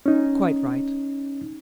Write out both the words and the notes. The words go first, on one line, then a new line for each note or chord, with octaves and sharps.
"Quite right."
C#4 D#4